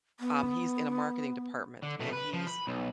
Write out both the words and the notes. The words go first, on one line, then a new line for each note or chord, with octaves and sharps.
um, he's in a marketing department, and he's
B3
D3
B2 A3
B4
F3
B5
B1